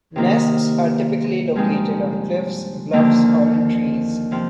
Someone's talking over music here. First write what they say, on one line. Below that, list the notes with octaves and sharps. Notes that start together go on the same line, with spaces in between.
Nests are typically located on cliffs, bluffs or in trees.
C3 D#3 A#3 D#4
G2 F3 G#3 C4 D#4
D#2 D3 F3 A#3
C3 F3 C4